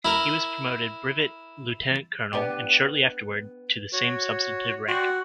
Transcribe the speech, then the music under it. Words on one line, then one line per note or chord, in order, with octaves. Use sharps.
He was promoted brevet lieutenant-colonel and shortly afterwards to the same substantive rank.
E4 A#4
B3 D4 G4
F#4 C#5
F#4 D5 G5 C6